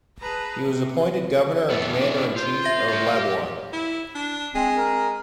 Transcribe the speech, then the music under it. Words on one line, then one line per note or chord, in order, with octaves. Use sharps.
He was appointed governor and commander-in-chief of Labuan.
G#4 B4 A5 A#5
C3
F2 B3 E4 A4
C4 D4 E4 D5
F4 C5
E5 A#6
F4 C#5
G4
E4
D4
G#3 C4
A#4